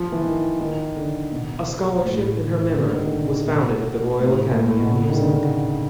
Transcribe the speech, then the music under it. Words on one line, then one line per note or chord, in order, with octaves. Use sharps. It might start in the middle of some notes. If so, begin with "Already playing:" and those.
A scholarship in her memory was founded at the Royal Academy of Music.
Already playing: F3
E3
D#3
D#3
D3
B2
A2
D3
D#3
D3
B2
A2
A#2
A2
A2
B2
C#3
D#3
D3
C#3
D3